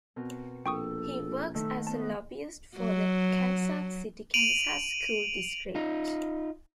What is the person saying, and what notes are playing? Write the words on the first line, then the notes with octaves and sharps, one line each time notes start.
He works as a lobbyist for the Kansas City Kansas School District.
B2 C4 A#4
A#1 A4 G5 C#6 D#6
D#3 A3 A4 E5
B3 C5 A5
F#3
D7 D#7 F7 F#7
D#4 F4